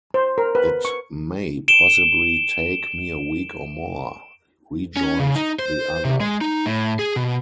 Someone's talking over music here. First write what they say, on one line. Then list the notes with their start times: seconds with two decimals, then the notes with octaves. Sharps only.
"It may possibly take me a week or more," rejoined the other.
0.14 C5
0.38 A#4
0.55 B4
0.85 C#6
1.68 D7 E7 G7
4.97 C#4
5.20 C#3
5.36 D#4
5.59 C5
6.05 C3
6.20 G#3
6.41 D#4
6.66 A2
6.99 G#4
7.16 B2